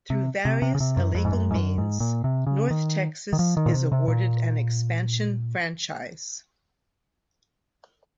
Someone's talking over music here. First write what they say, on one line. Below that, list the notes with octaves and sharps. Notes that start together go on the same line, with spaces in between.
Through various illegal means, North Texas is awarded an expansion franchise.
C3
C3
C3
C#3
C3
F#2
F2
G#2
F#2
G#2
F#2
G#2
A#2
C3
C#3
D#3
D#3
F3
D#3
A#2
C3
C3
A#2